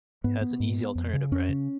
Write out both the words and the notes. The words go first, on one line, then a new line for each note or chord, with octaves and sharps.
yeah, it's an easy alternative, right?
G#2 B3
B3
G#2
F2
C#3
F2 C#4
C#3